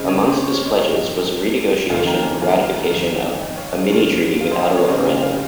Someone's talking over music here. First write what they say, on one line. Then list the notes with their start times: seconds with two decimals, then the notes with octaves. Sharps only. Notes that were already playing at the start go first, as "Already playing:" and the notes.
Amongst his pledges was a re-negotiation and ratification of a mini-treaty without a referendum.
Already playing: C#3 G#3 C4
0.08 C#5
0.25 C5
0.41 C5
0.54 C#5
0.65 C5 D#5
0.79 C#5 F5
0.91 G2 F3 C4 D#4 D#5 G5
1.90 F2 D#3 A#3 F4 F5 G#5
2.06 G5 A#5
2.23 G#5
2.32 G5
2.41 F5 G#5
2.89 F2 D#3 G#3
3.34 G#5
3.39 D#5 G5
3.55 C#5 F5
3.89 G2 F3 A#3 C#4 F4
4.41 F5
4.51 C5 D#5
4.63 C5
4.76 C#5
4.88 C#3 G3 C4 D#4 C5 D#5
5.05 F5 G#5
5.15 G5
5.21 F5 G#5